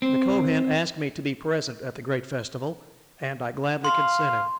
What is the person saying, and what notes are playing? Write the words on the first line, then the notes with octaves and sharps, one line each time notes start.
The Kohen asked me to be present at the great festival, and I gladly consented.
C4
F5 C6